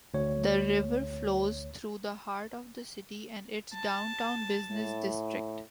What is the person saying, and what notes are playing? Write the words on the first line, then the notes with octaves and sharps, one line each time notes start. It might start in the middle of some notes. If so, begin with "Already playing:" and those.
The river flows through the heart of the city and its downtown business district.
D2 C#5
A5
A2